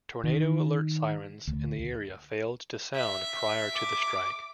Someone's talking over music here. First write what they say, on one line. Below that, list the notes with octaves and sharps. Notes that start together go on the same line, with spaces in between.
Tornado alert sirens in the area failed to sound prior to the strike.
D#3
D2
E5
D6